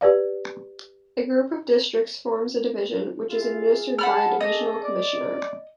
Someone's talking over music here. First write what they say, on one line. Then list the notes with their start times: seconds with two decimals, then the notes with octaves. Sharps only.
A group of districts forms a division, which is administered by a 'Divisional Commissioner'.
0.01 G4 B4 D5 F5
3.30 E4 F4 G#4
3.99 A4 F#5 A5 B5 F6
4.41 A#3 C#4 A4 D#5
4.81 D5